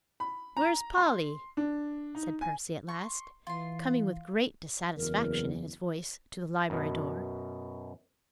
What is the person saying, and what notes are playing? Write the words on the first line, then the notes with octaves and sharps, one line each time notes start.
"Where's Polly?" said Percy at last, coming with great dissatisfaction in his voice to the library door.
B5
A#5
C6
D4
D#4
G#5
C6 C#6
E3 F4 C6
F#1 E2 A#4
F#2 B2